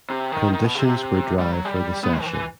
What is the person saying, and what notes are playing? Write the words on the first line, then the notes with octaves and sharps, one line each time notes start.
Conditions were dry for the session.
C3
D#3
D#3
B2
C3
G3
F#3
G3
B3
D#3
E3